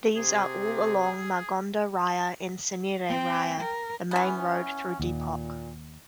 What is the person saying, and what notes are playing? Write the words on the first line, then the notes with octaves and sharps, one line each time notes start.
These are all along Margonda Raya and Cinere Raya, the main road through Depok.
C3 G#4
C4 G5
A#4
E3 B3 C#4
D#2 A#2